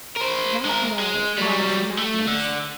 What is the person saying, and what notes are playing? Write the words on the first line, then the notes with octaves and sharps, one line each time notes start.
That way lies madness.
A#4 C5
G#3 A#4
G#3
F#3 G3
A3
D3